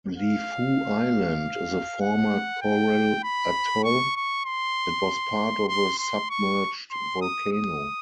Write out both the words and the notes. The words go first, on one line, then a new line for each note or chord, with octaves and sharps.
Lifou Island is a former coral atoll that was part of a submerged volcano.
F5
F#5
G5
B5
C#6
C#6
C6
C6
C6
C#6
C6
D#6
D#6